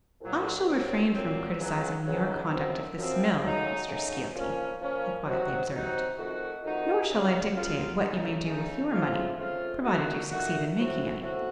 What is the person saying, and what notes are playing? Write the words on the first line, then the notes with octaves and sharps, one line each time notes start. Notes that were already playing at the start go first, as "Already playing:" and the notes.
"I shall refrain from criticising your conduct of this mill, Mr. Skeelty," he quietly observed, "nor shall I dictate what you may do with your money--provided you succeed in making any."
C2 A#2 F#3
A#2 F#3 C4
A#2 F#3 C4
C#2 C#3 F#3
C#2 C#3 F#3
F#2 F3 C4
F#2 F3 C4
F#2 C#3 F#3 A3 D#4
F#2 C#3 F#3 A3 D#4
A#2 F3 A#3 C#4
A#2 F3 A#3 C#4
C3 F#3 C4 D#4 F#4
C3 F#3 C4 D#4 F#4
F2 D#3 A3 D#4 F#4
F2 D#3 A3 D#4 F#4
C#3 F#3 A#3 F4
C#3 F#3 A#3 F4
C#3 A3 D#4
C#3 A3 D#4
C#3 A3 C4 F4
C#3 A3 C4 F4
A#2 A3 D#4 F#4
A#2 A3 D#4 F#4
A2 A3 C4 F#4
A2 A3 C4 F#4